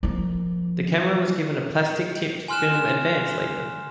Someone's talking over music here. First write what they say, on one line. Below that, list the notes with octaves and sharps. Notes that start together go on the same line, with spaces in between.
The camera was given a plastic tipped film advance lever.
F3 A#3
G#5 C6 F6 F#6 E7